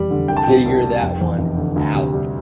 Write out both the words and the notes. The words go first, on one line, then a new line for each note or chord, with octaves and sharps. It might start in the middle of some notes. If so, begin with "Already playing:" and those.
figure that one out.
Already playing: F1 E2 G3
D3
C2 G5
A5
B2 G5
C2
G3
F1
E2
F1
D3
D2
C3
G3